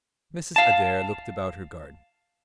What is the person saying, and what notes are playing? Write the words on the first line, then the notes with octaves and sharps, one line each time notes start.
Mrs. Adair looked about her garden.
F5 A5